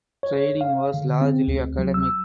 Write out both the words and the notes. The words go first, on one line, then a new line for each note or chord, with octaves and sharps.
Training was largely academic.
C#5
F5
D3
C4
D2
F#3
E6